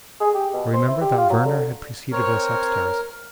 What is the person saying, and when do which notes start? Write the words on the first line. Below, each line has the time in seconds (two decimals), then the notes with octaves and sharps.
I remembered that Werner had preceded us upstairs.
0.20 G#4
0.34 G4
0.53 B2
0.73 C5
0.88 E4
1.01 G4
1.18 F4
1.30 F#3
1.45 D3
2.12 C4 A#4 C#5